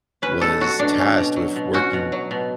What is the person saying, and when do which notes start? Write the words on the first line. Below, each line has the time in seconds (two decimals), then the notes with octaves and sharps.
was tasked with working
0.22 C#4 B4
0.41 B2 A4
0.61 F#3 F#4
0.79 B2 D4
0.99 C#4
1.18 B2
1.36 F#3
1.56 B2
1.73 C#4 F#4
1.93 B2
2.12 F#3
2.31 B2